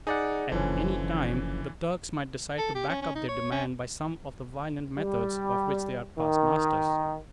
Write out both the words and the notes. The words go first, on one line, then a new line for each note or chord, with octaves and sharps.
At any time the Turks might decide to back up their demand by some of the violent methods of which they are past masters.
D#4 G#4 D5 F#5
F#1 D3 E3 F3 C#4
A4
G4
C#4
C#4
D#4
C#5
C#4
G3
D#3